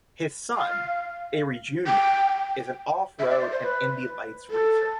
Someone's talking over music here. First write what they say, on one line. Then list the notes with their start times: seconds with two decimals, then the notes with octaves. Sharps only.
His son, Arie Junior is an off-road and Indy Lights racer.
0.56 F5
1.87 G5
3.19 E5
3.30 D5
3.41 C5
3.51 C5
3.63 B4
4.50 A4